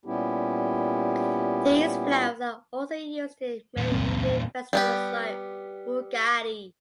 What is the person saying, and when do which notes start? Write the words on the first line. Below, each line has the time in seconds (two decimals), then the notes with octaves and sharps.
These flowers are also used in many Indian festivals like Ugadi.
0.05 A#2 G3 B3 C#4 E4 G4
3.77 E2 A#2
3.92 C#2 F#2 C4
4.73 G3 B3 G4